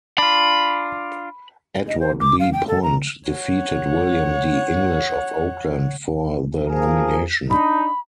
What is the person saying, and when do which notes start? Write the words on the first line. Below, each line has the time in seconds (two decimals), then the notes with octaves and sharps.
Edward B. Pond defeated William D. English of Oakland for the nomination.
0.18 D4 F4 B5
1.88 D#5
2.00 C5
2.20 D6
2.40 F5
2.53 G5
2.68 A4
2.83 A#5
3.28 C#5 F#5
6.68 F3 G#4 A#4
7.50 D4 D#4 B5